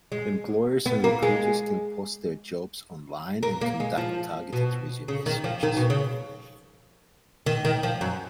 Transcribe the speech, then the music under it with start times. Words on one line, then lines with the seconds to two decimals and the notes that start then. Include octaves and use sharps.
Employers and recruiters can post their jobs online and conduct targeted resume searches.
0.12 G#3
0.86 B3
1.04 A#3
1.23 G#3
3.43 A#3
3.61 A#3
3.80 G#3
3.98 F3
4.53 B2
5.08 C#3
5.26 D#3
5.44 F3
5.63 D#3
5.77 B2
5.90 C#3
7.46 D#3
7.65 D#3
7.83 F3
8.01 F#2